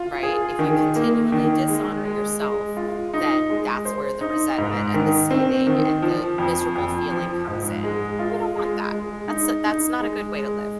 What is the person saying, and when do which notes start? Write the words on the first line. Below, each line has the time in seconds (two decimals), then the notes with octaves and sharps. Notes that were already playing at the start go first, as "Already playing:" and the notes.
Right? If you continually dishonor yourself, then that's where the resentment, and the seething, and the miserable feeling comes in; and we don't want that, that's u that's not a good way to live.
Already playing: F4
0.23 G#4
0.59 D#3
0.96 A#3
1.32 D#3
1.68 G#3
2.05 G#3
2.40 G#3
2.77 F4
3.14 D#4
3.50 G#3
3.85 C5
4.21 D#4
4.58 G#2
4.94 D#3
5.31 C4
5.67 D#3
6.02 F3
6.38 F2
6.76 F2
7.12 F3
7.47 G#2
7.84 G#3
8.19 F4
8.57 G#3
8.92 G#3
9.28 D#4
9.65 D#4
10.00 G#3
10.37 G#3